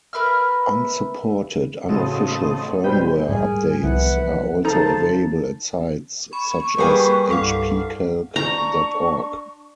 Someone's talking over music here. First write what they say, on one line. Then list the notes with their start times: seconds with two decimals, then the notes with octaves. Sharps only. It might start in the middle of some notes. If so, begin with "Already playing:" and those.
Unsupported unofficial firmware updates are also available at sites such as hpcalc dot org.
0.13 A#4 B4 E5 F6
1.89 A1 C#3 A3 C4 F#4 D#5
2.84 B2 G3 G4 B4 C5 G5 B5 D#7
3.29 G#2 G3 G#4 A#4 G#5
3.84 C2 E3 F3 B3 B4 E5 F#5
4.65 C#3 D#4 A4 C5 A5 A#5
6.33 B5 C#6
6.78 G3 A#3 G#4 B4 G5 G#5 D#6
7.31 C2 G2 A4 F5 F#5
8.36 D4 A#5 C#6